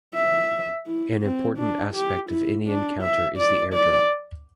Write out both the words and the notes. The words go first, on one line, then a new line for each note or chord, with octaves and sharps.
An important aspect of any Encounter is the airdrop.
E5
E4
C4
D4
G4
E4
D4
E5
D5
D5